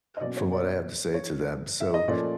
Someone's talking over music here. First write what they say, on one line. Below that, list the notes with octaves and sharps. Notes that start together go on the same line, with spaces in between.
from what I have to say to them.” So,
D#5
B2 F#3 A#3 C#4 D5
C#5
D5
C#5
E5
D#5
A#2 F3 A3 C#4 D5